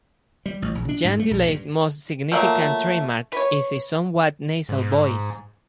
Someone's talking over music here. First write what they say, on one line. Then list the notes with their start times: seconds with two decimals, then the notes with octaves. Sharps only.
Jan Delay's most significant trademark is his somewhat nasal voice.
0.46 G3
0.62 A1
0.75 A#1
0.89 D4
1.05 G#2
1.20 A3
1.31 A#1
1.47 G2
2.32 F3 F#3 A3 A#3
3.32 B4 C#5
4.69 G#2